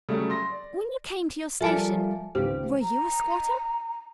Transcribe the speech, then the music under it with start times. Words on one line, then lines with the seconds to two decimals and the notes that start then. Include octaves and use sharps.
"When you came to your station were you a squatter?"
0.09 C#3 F#3 G3 A3
0.30 C6 A#6
0.50 D5
1.61 F3 G3 A4 A#4 E5 G#5 A5
2.35 C#2 D#3 G4 C5
2.81 A#5